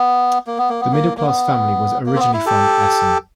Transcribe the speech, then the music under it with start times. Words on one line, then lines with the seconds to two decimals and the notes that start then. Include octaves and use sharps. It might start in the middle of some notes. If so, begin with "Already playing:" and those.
The middle class family was originally from Essen.
Already playing: B3
0.47 A#3
0.58 B3
0.69 A#3
0.81 B3
0.92 A#3
1.18 A#3
1.26 B3
2.06 A#3
2.16 C4
2.20 B3
2.33 E4
2.46 G4 A4